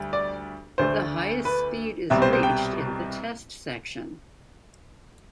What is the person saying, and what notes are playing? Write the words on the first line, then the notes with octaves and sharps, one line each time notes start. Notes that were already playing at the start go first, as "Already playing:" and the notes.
The highest speed is reached in the test section.
Already playing: D2 G3
D5
D2 D3 A3 D4 C5
B4
C2 B2 G3 C4 E5
C5
C5
G5